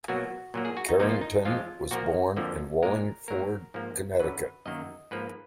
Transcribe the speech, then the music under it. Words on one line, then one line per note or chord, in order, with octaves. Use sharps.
Carrington was born in Wallingford, Connecticut.
B2 F#3 A#3 F#4
A#2 F#3 A#3
G#4
F#4
D#4
A#2 F3 A#3 D#4
F4
D#4
F2 F3 G#3 F4
A#2 F3 A#3 F#4
F2 D3 F3 A#3
A#2 G#3 A#4
G#2 F#3 A#3 A#4
G#2 F3 A#3
F#2 D3 F#3 B4
F#2 D#3 A#3 D#5
G#2 F3 A#3 B4